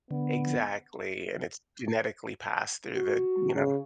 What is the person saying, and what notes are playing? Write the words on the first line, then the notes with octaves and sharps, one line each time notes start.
Exactly, and it's genetically passed through the you know?
D3 B3
F#4
C#3